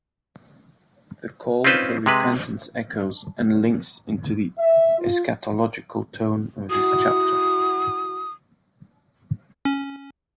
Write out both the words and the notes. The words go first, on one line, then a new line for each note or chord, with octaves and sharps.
The call for repentance echoes and links into the eschatological tone of this chapter.
C4 C#4 D#4 F4 B4 C5
C3 G#3 B4
E5
F4
E4 F#4 D#6
C#4